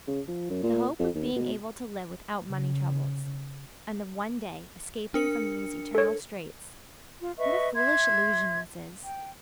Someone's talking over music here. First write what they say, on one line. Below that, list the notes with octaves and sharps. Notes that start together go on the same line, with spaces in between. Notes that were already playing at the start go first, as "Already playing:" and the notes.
The hope of being able to live without money troubles, and of one day escaping from these eternal straits--what a foolish illusion this is!
C#3
F3
F#2
A#2
F2
D#2
B2
C#3
D4 A#4 C#7
A4 C#5
F4
B4 D#5 E5 C#6
E5 C6 G#6
G5